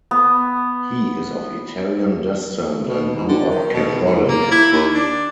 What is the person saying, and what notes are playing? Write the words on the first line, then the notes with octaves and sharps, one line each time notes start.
He is of Italian descent and grew up Catholic.
B3
B2
G#2
D3
D#3
B2
G#2
A#3
E4
D#2
D4